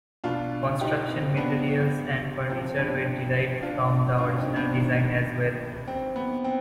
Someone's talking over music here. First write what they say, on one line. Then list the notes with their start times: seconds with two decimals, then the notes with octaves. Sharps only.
Construction materials and furniture were derived from the original design as well.
0.24 B2 D4 F4
0.81 D#4 G4
1.08 C4 D#4
1.37 B3 D4
2.50 C3 F3 C4
2.78 B3 D4
3.06 C4
3.62 D4 F4
4.18 D4 F4
4.38 C4 D#4
4.56 B3 D4
4.75 C3 D#3
5.88 C4
6.16 B3
6.44 C4